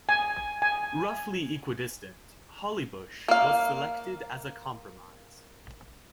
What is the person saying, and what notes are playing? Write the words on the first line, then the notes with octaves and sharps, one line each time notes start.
Roughly equidistant, Hollybush was selected as a compromise.
G#5
G#5
A#3 F5